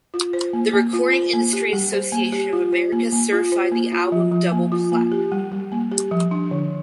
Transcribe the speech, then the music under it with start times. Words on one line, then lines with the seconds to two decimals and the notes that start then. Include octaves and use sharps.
The Recording Industry Association of America certified the album double platinum.
0.14 F4
0.33 C5
0.53 A#3
0.73 A#3
0.93 F4
1.13 C5
1.33 A#3
1.53 G4
1.73 G3
1.93 C5
2.12 A#3
2.32 G4
2.53 F4
2.72 C5
2.92 A#3
3.12 A#3
3.32 F4
3.52 C5
3.72 A#3
3.92 F4
4.12 F3
4.32 F3
4.52 A#3
4.72 F4
4.92 A#3
5.12 G4
5.32 G3
5.52 G3
5.72 A#3
5.92 G4
6.11 F3
6.31 D4
6.51 D3